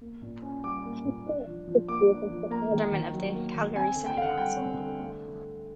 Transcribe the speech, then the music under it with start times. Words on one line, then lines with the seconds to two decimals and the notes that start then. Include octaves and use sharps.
He spent six years as an Alderman of the Calgary City Council.
0.01 A#3
0.22 A#2
0.42 C#4
0.63 G3 D6
0.85 A#3
1.05 A#2
1.27 D4
1.46 F3
1.68 F3
1.88 A#3 D6
2.09 D4
2.30 F3
2.50 A#3 A#5
2.71 D#3
2.92 D#3
3.13 F#3
3.34 A#3
3.55 D#3
3.76 C4 G#5
3.96 D3
4.06 G5
4.17 D3 F5 F#5
4.38 G3 G5
4.58 C4
4.79 D3
5.00 A3